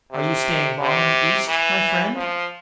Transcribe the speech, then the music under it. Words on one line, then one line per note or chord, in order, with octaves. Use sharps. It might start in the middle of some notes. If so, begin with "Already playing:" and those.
"Are you staying long in the East, my friend?"
C3
C3
E3
F3